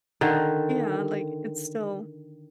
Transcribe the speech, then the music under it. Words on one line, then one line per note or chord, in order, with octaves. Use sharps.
Yeah. Like, it's still
D3 D#3